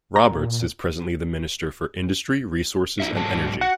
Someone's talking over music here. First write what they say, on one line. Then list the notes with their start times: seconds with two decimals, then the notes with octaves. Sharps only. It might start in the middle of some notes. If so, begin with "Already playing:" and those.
Roberts is presently the Minister for Industry, Resources and Energy.
0.16 A#2 A#5
3.00 D#4 F#4 E5
3.12 G#2 F#3 A5
3.61 F#4 F#5